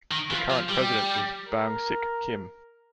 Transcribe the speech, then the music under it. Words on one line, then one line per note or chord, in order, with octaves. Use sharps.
The current president is Boung-Sik, Kim.
D#3
E3 F4
F3
G3 G4
A#4